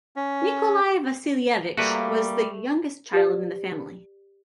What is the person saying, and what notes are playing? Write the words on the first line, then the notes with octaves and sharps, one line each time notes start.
Nikolai Vasilievich was the youngest child in the family.
C#4
G3 A3 A#3 F#4 B4 D5
G4 B4 D5